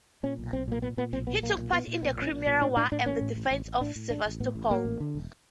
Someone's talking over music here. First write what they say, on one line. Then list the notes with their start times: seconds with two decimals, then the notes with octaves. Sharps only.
He took part in the Crimean War and the defense of Sevastopol.
0.23 A#2 C#4
0.38 B1
0.53 B1 C4
0.68 A#2 A#3
0.82 A#2 B3
0.97 A#2 B3
1.13 B1 C4
1.27 A#2 B3
1.43 B1 A#3
1.58 A#2
1.72 A#2 B3
1.87 A#2
2.02 B1 B3
2.17 A#2
2.22 C#4
2.32 B1
2.47 A#2
2.62 A2 D4
2.76 A2 D4
2.92 A2 D4
3.06 A1 C#4
3.21 A2
3.36 A1
3.51 A1
3.66 A1
3.81 A2 D4
3.96 A2
4.10 A1 D4
4.26 A1
4.40 A2 B3
4.55 A1
4.71 A2 A#3
4.85 A1
5.00 D3
5.15 E1